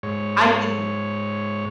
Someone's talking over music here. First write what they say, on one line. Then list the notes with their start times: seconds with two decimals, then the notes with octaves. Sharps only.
I didn't
0.03 G#2 C#5